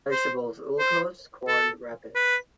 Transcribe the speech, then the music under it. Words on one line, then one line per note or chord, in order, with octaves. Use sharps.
Vegetables: Ullucos, corn wrappes.
C5
C5
A4
B4